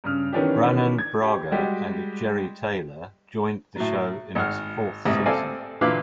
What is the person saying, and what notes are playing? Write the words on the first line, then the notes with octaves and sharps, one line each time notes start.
Brannon Braga and Jeri Taylor joined the show in its fourth season.
G2 C#3 F6
D#3 E3 B3 C#4 D4 G4
G#6
G4
G3 G#3 F#4 G4
A2 F#3
G#1 F#5 F6
A1 G#2 C3 D#6
C4 A4 D5 F5 G#5
A#2 D3 E3 B4 F5 D6